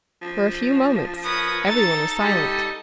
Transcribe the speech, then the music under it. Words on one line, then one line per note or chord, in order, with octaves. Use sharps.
For a few moments every one was silent.
F3
A#4 B4 C#5 D#6
D#4 A4 A#5 A6
G3 D#5